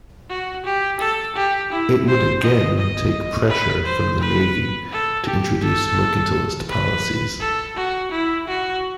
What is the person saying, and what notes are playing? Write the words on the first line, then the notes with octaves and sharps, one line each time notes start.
It would again take pressure from the navy to introduce mercantilist policies.
F#4
G4
A4
G4
E4
C5
D#5
D#5
B4
C5
B4
A4
G4
A4
B4
A4
F#4
E4
F#4